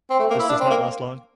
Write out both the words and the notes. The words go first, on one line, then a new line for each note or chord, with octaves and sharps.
This does not last long.
C4
A3
A#3
E4
D4
C4
A#3